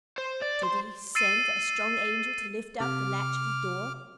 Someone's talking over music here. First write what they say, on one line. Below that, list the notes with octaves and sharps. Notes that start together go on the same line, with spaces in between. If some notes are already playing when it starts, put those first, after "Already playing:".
Did he send a strong angel to lift up the latch of the door?
C5
D5
C5 C6
E6 A6 C7 D#7
C3 D6 F6